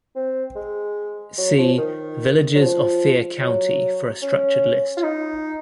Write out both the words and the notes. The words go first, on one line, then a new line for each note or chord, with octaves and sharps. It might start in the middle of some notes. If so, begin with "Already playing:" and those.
See Villages of Fier County for a structured list.
C4
G#3
F#3
F3
D#3
F#3
F3
F#3
C#4
F4
D#4